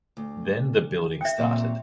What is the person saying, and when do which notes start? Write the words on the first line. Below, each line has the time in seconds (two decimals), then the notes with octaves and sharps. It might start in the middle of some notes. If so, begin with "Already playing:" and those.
Then the building started.
0.17 D2
1.21 E5 G5
1.38 A#2 F#3 C4